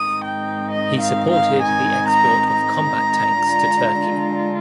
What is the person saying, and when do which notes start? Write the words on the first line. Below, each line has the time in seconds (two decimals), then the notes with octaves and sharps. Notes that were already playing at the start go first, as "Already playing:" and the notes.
He supported the export of combat tanks to Turkey.
Already playing: G#2 D#3 G#3 C4 D#4 D#6
0.24 G5
0.70 D#5
1.00 F5
1.31 F5
1.61 G#5
2.07 A#5
2.53 A#5
3.45 D3 G#3 D4 F4